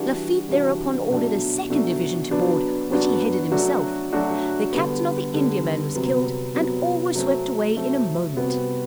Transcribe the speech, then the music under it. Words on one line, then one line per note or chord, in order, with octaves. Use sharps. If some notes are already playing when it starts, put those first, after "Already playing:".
Lafitte thereupon ordered a second division to board, which he headed himself; the captain of the Indiaman was killed, and all were swept away in a moment.
Already playing: E3 G3 D4 F#4
E3 G3 D4 F#4
B2 F#3 A3 D4 F#4
B2 F#3 A3 D4 F#4
F#3 B3 D4 F#4
F#3 B3 D4 F#4
F#3 A3 D4 F#4
F#3 A3 D4 F#4
D3 G3 B3
D3 G3 B3
C3 F#3 B3
C3 F#3 B3
F#3 A3 C4
F#3 A3 C4
C3 G3 B3 F#4